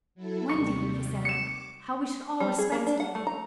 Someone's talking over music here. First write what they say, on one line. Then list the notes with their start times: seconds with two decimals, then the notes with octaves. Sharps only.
"Wendy," he said, "how we should all respect you."
0.15 F#3 E4 A4
0.49 D#2 C3 G3 C#6
1.25 D6 C#7 E7
2.40 G3
2.58 G#4
2.72 A#3
2.87 D4
3.00 F#5
3.15 A3
3.27 A#5